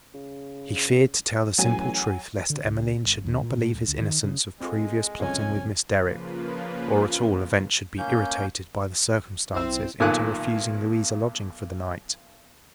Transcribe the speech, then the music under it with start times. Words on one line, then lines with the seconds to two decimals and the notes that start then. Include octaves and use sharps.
He feared to tell the simple truth lest Emmeline should not believe his innocence of previous plotting with Miss Derrick, or at all events should be irritated by the circumstances into refusing Louise a lodging for the night.
0.15 C#3
1.58 A1 F#3 G#5
2.50 D3
2.64 C#2
3.04 G1
3.25 D#2
3.41 A#2
3.58 A2
3.73 D#1
3.88 D2
4.01 D#3
4.24 C#3
4.60 G#3 C4 F4 A4
5.20 C2 F2 C#3 C#4 G#5
5.96 C#3 F3 A#3 F4 B4
7.98 A#3 C#4 G6
9.54 B1 C4 E4 E6
10.00 B1 A#2 D#3 A4 G#5 F#6